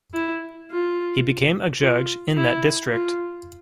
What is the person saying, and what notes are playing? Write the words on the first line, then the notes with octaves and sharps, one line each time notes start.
He became a judge in that district.
E4
F4
F4
E4
F4